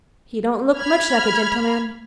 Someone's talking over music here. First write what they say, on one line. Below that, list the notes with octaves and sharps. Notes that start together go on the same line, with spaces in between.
"He don't look much like a gentleman."
B5 F6 G#6